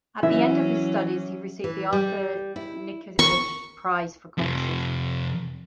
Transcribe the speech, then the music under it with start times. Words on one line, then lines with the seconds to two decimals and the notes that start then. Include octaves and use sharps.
At the end of his studies he received the Arthur Nikisch Prize for composition.
0.23 E3 F#3 C#4 E5
1.64 E3
1.93 G3
2.56 E4
3.19 C#6
4.38 F2 C3